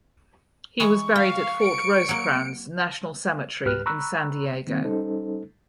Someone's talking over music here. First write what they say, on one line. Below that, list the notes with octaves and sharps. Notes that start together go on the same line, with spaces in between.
He was buried at Fort Rosecrans National Cemetery in San Diego.
E3 G#3 C#6
F5 G5
C#7 D7
F#3 A#3
C#2 G#2 G4 B4 F6 F#6
A#5 B5 C#6 E6 F#6
D#3 A#3 C4
G3 C#4 D#4 A4 C5